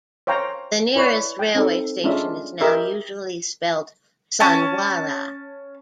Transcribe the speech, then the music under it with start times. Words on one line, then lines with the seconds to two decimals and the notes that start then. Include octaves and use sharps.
The nearest railway station is now usually spelt "Sonwara".
0.27 C5 C#5 F5 G5 A#5
0.96 E4 B4 C#5 D5
1.39 G5
1.55 C4 D#4 A4
2.04 G#3 C#4 D4 F4 E5
2.61 G4 A#4 D#5 E5
4.40 C#4 A5